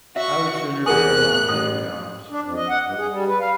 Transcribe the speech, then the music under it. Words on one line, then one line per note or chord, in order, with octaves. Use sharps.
I would sooner be alone when he comes.
F#4 E5 C#6
E2 G#4 A#4 F#5 G#5 D#6 F#6
A1 D#6
D4
F2
D#5
F#5
G2
G#4
G3
B4
F5